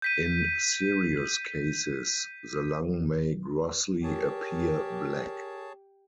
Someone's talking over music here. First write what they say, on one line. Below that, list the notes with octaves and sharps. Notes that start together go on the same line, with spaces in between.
In serious cases, the lung may grossly appear black.
G6 B6 D#7
G4 G#4 A#4 C#5 A5